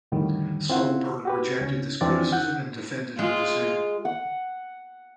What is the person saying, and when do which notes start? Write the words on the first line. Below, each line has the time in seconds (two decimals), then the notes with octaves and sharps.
Solberg rejected this criticism and defended her decision.
0.12 F2 A2 D3 D#3 G3
0.70 C4 E4 F4 C5 F#5
1.25 F#4 G4 B4
1.61 C#2 C#4
2.01 F2 E3 C4 D4 D5 A6
2.32 F#5 F#6 G6
3.19 G#3 F4
4.05 F#5